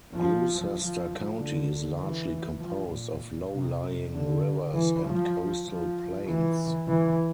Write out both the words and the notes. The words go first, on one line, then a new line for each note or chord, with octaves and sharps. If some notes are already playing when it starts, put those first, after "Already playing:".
Gloucester County is largely composed of low-lying rivers and coastal plains.
F3
F3
D3
E3
F3
A#2
C3
D3
E3
F3
F3
E3
E3